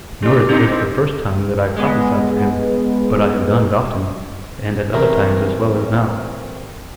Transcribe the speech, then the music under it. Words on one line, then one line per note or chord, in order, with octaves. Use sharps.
Nor is this the first time that I prophesied for him, but I have done it often, and at other times as well as now.
G3 D4
B2 D#4
G#2 C4
G#3 B3
E3 G3 A3 C4 A#4 C5